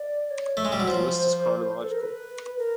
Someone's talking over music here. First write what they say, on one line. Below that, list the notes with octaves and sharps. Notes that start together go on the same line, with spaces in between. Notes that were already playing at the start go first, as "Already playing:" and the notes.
This list is chronological.
Already playing: D5
C#5
A3
G#3
G3
F#3
F3 C5
A4
A#4
B4
A#4